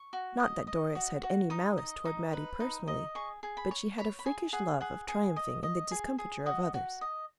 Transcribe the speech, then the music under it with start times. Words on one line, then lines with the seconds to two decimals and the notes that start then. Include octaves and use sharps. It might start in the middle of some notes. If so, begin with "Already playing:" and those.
Not that Doris had any malice toward Mattie personally; but she had a freakish love of triumphing in the discomfiture of others.
Already playing: C#6
0.13 F#4
0.40 D#5
0.67 D#5
0.95 F#4
1.23 F#4
1.50 D#4 D#6
1.78 D#5
2.05 D#4
2.33 B4
2.60 D#4
2.87 D#5
3.15 G#4 C#6
3.43 G#4
3.57 B5
3.71 C#5
3.98 C#5 B5
4.19 B5
4.26 G#4 G#5
4.53 G#4 F#5
4.81 G#4 F#5
5.08 G#4
5.36 D#5
5.63 D#5
5.91 G#4
6.18 G#4
6.46 F#4 D#5
6.74 F#4
7.01 D#5